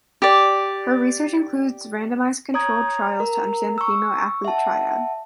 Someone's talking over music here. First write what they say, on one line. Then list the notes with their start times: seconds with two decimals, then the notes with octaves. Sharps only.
Her research includes randomized controlled trials to understand the female athlete triad.
0.22 G4 D5
2.54 C#5 A#5 D#6 G#6
3.20 A#4
3.78 C#6 E6
4.45 E5 F#5 A5